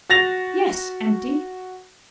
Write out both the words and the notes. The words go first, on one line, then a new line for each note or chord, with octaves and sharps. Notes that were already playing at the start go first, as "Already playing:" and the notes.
'Yes, empty.
F#4 A6 A#6 F7